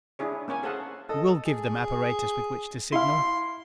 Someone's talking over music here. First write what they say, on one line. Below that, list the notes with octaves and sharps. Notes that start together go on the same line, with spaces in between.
"You will give them apparatus with which to signal?"
D4 E4 G#4 C#5
A#3 C#4 C#5 G#5
G#4 A4 C5 F5 F#5 A5
A4 D#5
G#4
E4 F5 C6